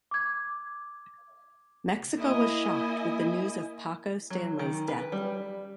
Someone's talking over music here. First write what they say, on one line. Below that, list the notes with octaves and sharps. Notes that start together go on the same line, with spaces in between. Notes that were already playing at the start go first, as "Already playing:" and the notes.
Mexico was shocked with the news of Paco Stanley's death.
D6 G#6
A#3 E4 D#5 G#5
F#3
D#3
B4
G3